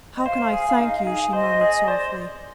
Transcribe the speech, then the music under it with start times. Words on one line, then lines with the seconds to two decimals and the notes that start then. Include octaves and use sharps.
"How can I thank you?" she murmured, softly.
0.17 D#5
0.26 C5 F5
0.53 G#4
0.80 D#4
1.07 G#4
1.33 C5 D#5
1.61 G#4
1.87 C5 D5